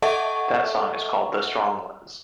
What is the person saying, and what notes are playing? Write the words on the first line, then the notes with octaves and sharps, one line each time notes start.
That song is called "The Strong Ones".
A4 D#5 E5 F#5 A5 C#6